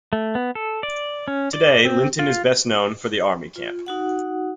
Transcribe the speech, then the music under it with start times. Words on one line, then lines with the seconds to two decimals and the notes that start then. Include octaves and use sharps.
Today Linton is best known for the army camp.
0.13 A3
0.35 B3
0.55 A4
0.83 D5
1.28 C#4
1.53 D5
1.85 C4
2.19 F4
3.56 F4
3.86 D#4 F#4 F#5